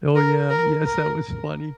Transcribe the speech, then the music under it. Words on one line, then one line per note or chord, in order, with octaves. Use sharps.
Oh, yeah, yes, that was funny.
A#4
A#4
A#4